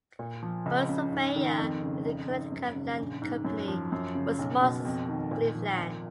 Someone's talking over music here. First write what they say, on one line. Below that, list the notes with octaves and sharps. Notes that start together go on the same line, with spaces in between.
One surveyor with the Connecticut Land Company was Moses Cleaveland.
A#2
F3
C#2
C#3
G#2
D#3
F2
C#3
G#1
G#2
F#2
C#3
A#1
G#2
F#2
F3
F#2
C#3
B1
B2
F2
D#3
A#2
F3
G#1